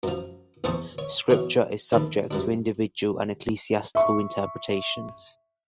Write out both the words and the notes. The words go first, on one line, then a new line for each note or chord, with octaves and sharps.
Scripture is subject to individual and ecclesiastical interpretations.
F#2 F3
A#1 E2 G#4 C5 A5 C#6
C#5
B2 E3 C#5
A#1 D#3 A4 A5 B5
F#2 G3 D4
E5 C#6